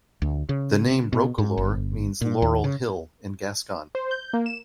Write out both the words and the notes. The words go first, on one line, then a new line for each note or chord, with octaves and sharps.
The name Roquelaure means "laurel hill" in Gascon.
D2
C#3
B2
G#2
G1
A#2
D#2
C#3
C5
G6
A#3
E7